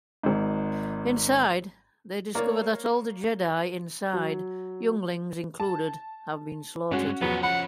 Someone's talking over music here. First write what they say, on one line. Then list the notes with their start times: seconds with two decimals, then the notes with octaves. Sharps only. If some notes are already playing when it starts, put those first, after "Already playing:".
Inside, they discover that all the Jedi inside, younglings included, have been slaughtered.
0.23 G#1 G#2
2.35 A#3 A#4 C#5 D5
4.13 F#3
5.60 A5
6.91 G2 G#3 C#4 F#4
7.21 E2 F3 F#3 B3 C#4
7.43 F#5 B5